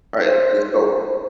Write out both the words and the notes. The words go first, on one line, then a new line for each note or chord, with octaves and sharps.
right? And so
C5